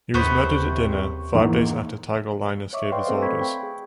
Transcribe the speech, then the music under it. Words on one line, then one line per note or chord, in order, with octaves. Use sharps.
He was murdered at dinner; five days after Tigellinus gave his orders.
F#1 D#2 C3 B3 C5 B5 C#6
E2 G#2 A#3
C#5 D#5 E5 C#6 D6
B4 D5 D#5 F5 G5 C6
A3 C4 A4 B4 C5 F5
B5 C#6 G#6 B6
G5
G#4